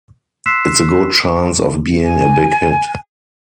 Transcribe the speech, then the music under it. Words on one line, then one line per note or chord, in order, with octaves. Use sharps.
It's a good chance of being a big hit.
C6 E6 F#6 B6 C7 E7
G#5